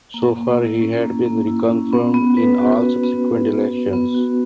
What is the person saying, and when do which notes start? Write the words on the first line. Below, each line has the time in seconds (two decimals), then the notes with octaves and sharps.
So far he had been reconfirmed in all subsequent elections.
0.14 A#3
0.36 A#3
0.59 E4
0.81 C#4
1.03 A#3
1.26 A#3
1.47 E4
1.70 C#4
1.93 B3
2.14 B3
2.37 B4
2.59 F#4
2.82 B3
3.03 B3
3.26 B4
3.48 F#4
3.70 B3
3.93 B3
4.14 F#4